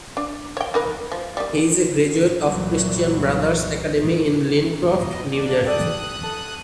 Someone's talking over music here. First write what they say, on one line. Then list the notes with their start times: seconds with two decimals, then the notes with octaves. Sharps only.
He is a graduate of Christian Brothers Academy in Lincroft, New Jersey.
0.17 D4
0.57 C#5 G5
0.74 D#4 A#4 B4
1.12 F3
1.37 D#3 G3
2.44 C2 F#2 A#2 E3 F#3
4.94 B3 D#5
5.27 A#3 D4 D5
5.66 G4 A4 D5 D#6 F#6
6.23 A4